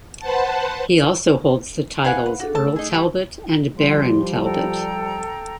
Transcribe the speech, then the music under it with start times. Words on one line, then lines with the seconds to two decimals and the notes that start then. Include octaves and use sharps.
He also holds the titles Earl Talbot and Baron Talbot.
0.20 B4 C5 F#5 A5
2.05 E3 B4 F5 F#5 G#5
2.26 B4
2.40 D4 F#4 G#4 A4
2.55 A3 A4 A5 E6
2.76 D#4 G#4
2.91 G3 A3
3.77 F3 G3 C6
4.44 A4 G5 A#5